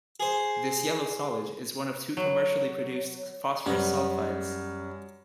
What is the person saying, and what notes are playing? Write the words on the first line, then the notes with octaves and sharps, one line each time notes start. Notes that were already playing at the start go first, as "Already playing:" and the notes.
This yellow solid is one of two commercially produced phosphorus sulfides.
G#4 C5
F#3
F#2 G3 B3